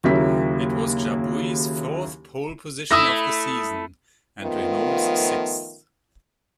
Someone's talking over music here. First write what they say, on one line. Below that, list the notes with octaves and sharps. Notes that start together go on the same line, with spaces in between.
It was Jabouille's fourth pole position of the season, and Renault's sixth.
D#2 C#3 F#3 A#3 E4 B6
A3 E4 D#6 E6 A#6
D#3 F3 A3 B3 F4